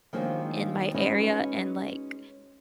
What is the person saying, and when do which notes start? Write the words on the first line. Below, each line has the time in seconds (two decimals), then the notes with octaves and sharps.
in my area, and, like,
0.13 D#3 F3 F#3 G#3 A#3 D4
0.94 G#3 C#4 D#4 F#4 B4